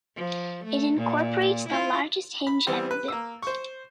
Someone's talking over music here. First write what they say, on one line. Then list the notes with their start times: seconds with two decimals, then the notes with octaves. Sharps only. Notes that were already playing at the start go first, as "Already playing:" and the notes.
It incorporates the largest hinge ever built.
0.16 F3
0.64 A3
0.98 A#2
1.68 E4 F4
2.47 B5
2.67 E3 G3 B3 C4
2.91 B4
3.08 A#3 E6
3.42 C5 C#6